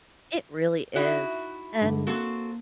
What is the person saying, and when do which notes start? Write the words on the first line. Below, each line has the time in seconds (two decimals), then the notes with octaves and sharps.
It really is. And,
0.96 D#4 E4 F#4 F#6
1.81 G2 D3
2.07 A#3 C4 F#4 A4